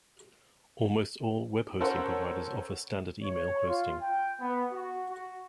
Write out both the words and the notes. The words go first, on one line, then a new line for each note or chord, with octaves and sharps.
Almost all webhosting providers offer standard email hosting.
C#4 A4 A#4 C5 C#5 F#5
C#5
F4
G5
B3
F#4
F#4